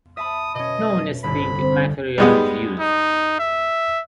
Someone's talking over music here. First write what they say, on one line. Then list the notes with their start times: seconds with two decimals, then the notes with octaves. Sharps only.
No nesting material is used.
0.17 E5 A5 B5 D#6
0.55 B2 C#4 D#5
1.24 G1 C2 D3 B5
1.60 C4
2.18 G3 G#3 B3
2.80 D#4
3.40 E5